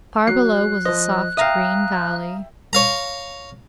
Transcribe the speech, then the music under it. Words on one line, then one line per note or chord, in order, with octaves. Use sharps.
Far below was a soft, green valley.
F#3 F#6 C7
F3 C5 D#5
E5 F5 G5 A#5 D#6
C#5 F5 A#5